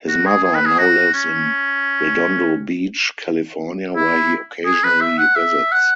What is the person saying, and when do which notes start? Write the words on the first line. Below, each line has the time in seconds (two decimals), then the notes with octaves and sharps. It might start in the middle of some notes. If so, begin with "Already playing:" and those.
His mother now lives in Redondo Beach, California, where he occasionally visits.
0.08 F#4
0.26 G#4
0.44 G#4
0.55 B4
0.66 G#4
0.79 F#4
1.14 C#4
3.96 E4
4.65 G#4
4.84 B4
5.01 E5
5.18 F#5
5.36 E5
5.72 F#5